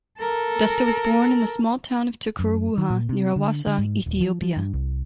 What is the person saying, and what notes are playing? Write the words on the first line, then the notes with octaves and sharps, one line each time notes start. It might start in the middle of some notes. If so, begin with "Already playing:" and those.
Desta was born in the small town of Tiqur Wuha near Awassa, Ethiopia.
A4 A#4
F#2
D#3
A#2
C3
D3
D3
G#2
D#1
F3
F3
G2
C2